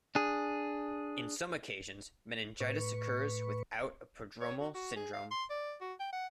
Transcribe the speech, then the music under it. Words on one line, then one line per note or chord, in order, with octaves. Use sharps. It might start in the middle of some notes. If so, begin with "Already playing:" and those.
In some occasions, meningitis occurs without a prodromal syndrome.
D4 G#4
A2 B4 C#6
C#5
F#4
F#4
G#4
F5
C6
D5
F#4
G5
F#5